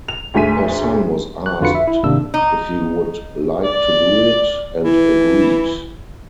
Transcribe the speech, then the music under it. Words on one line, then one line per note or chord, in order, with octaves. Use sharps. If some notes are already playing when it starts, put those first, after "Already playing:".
Her son was asked if he would like to do it, and agreed.
F7
D2 G#2 A3 G#5 B6 D#7
F#6
F2 D3 F4 F#4 B4 C#7
E5
E4
G#1 C3 A#3 D4 E6
D#4
D5
E3